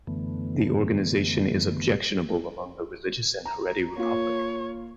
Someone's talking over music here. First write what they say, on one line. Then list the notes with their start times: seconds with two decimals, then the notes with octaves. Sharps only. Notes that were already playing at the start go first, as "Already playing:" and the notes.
The organization is objectionable among the religious and Haredi public.
0.07 F#2 D3 E3 A3 B3
3.45 A#5
3.97 A#3 F4 C#5